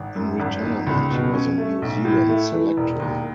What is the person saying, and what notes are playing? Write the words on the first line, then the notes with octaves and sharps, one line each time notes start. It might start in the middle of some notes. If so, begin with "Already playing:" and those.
In retirement, he was a New Zealand selector.
Already playing: G#1
F#2
G#1
D#3
C#2
B2
C#4
A3
B1
A2
A3
E3
E1
D#2